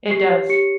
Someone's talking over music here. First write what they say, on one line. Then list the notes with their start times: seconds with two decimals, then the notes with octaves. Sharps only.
It does.
0.10 G4 C7
0.31 C#5
0.49 G4 C#7